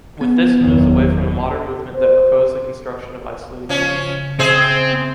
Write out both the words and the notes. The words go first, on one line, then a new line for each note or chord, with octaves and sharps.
With this he moves away from the modern movement that proposed the construction of isolated units.
B3
F#1 E2 D#3
C5
C#3 F3 C#4
C4 G#4 C5 E5